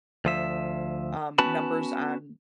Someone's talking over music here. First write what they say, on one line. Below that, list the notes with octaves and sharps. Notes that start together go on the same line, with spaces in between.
um, numbers on
D2 F3 E5
B3 C#4 F#4 B4 A5 B5